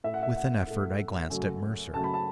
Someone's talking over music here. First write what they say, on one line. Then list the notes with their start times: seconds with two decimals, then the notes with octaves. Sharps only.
With an effort I glanced at Mercer.
0.04 A2 A3 E5
0.14 F#5
0.23 E5
0.36 F#5
0.67 A2 A3
1.30 F#2 C#3 F#3 A3
1.93 F#2 C#3 F#3 A3 A5
2.04 B5
2.14 A5